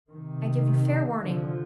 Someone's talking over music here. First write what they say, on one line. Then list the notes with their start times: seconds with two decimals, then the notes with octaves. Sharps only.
I give you fair warning.
0.10 C3 D#3
1.25 D3 F3